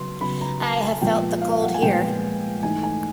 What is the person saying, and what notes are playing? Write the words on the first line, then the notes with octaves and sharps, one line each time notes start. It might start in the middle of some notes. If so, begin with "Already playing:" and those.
I have felt the cold here.
Already playing: C#3 F#3 B3 C6
C#3 F#3 B3 B5
A#5
A5
G#5
A#2 F3 G#3 B3 G5
F5
F#5
G#5
A#2 F3 G#3 B3 G5
G#2 E3 A3 G#5
G#5